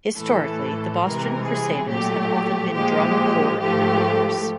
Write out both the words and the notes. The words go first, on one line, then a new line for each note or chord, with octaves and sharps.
Historically, the Boston Crusaders have often been drum corps innovators.
A2 E3 A3 A4
C3 E3 G#3 A#4
G#4
A#2 F#3 A3 G4
A#2 F3 G#3 G4
G#2 F3 A3 G4